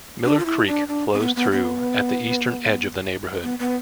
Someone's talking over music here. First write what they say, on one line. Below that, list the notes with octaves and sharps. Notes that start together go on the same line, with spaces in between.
Miller Creek flows through at the eastern edge of the neighborhood.
D4
F4
E4
D4
D4
C4
B3
B3
B3
B3
B3